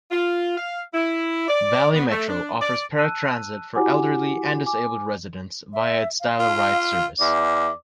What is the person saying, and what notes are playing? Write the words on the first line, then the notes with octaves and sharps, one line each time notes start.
Valley Metro offers paratransit for elderly and disabled residents via its Dial-a-Ride service.
F4
F5
E4
D5
B3
A3
D4
D5
A5 E6 F#6 D#7
E4 F#4 G4 F#5 G#5 D6
G#5 D6
E5
F5
F4
E2 D5 E5